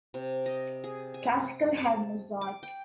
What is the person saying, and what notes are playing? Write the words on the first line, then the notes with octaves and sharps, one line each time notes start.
Classical had Mozart.
C3
D#5
G#4
G#5
A5
D6
G5